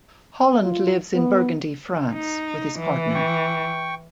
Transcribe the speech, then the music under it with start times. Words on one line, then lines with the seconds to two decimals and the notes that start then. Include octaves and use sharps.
Holland lives in Burgundy, France with his partner.
0.63 F4
1.14 B3
2.13 D#4
2.80 E3
3.15 G5 C#6